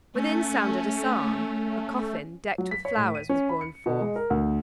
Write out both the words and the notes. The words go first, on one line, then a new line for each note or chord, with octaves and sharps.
Within sounded a psalm; a coffin, decked with flowers, was borne forth.
A3 C#4
F#3
B6
C#5
A2
D#7
C#4
B5
C#7
B2
G#3
A#4
D2